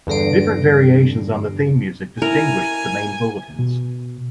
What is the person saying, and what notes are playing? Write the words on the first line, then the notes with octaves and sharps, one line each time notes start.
Different variations on the theme music distinguished the main bulletins.
E2 G2 D3 A#6 C7 D7
E4 A#4 G#5
B2